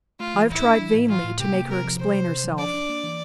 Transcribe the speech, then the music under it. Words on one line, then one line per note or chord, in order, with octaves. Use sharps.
I have tried vainly to make her explain herself.
A3 F4
E3
A2 E4
D4
E3
A2
E3 F4
A2
C3 G4
A#3
C3 A#4
F3
C3 C5
C3
C3
F3
D4 D5
D4
A#3
E3